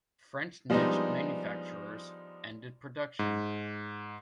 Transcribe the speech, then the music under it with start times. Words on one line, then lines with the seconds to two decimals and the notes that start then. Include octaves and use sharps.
French niche manufacturers ended production.
0.70 F3 G3 G#3 B3 D4 D#4
3.19 G#2